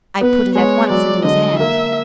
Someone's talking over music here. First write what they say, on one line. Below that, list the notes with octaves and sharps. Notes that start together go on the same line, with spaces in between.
I put it at once into his hand.
B3 B4
G#3 C#5
F#3 D5
D3 D#5
A#3 E5